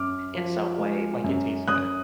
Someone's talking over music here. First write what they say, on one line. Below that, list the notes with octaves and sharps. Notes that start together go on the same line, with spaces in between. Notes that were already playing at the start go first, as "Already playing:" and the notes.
in some way, like, it tastes good.
Already playing: F#2 D6 F6
F3
G#3
F#2
F#2 D#6 F#6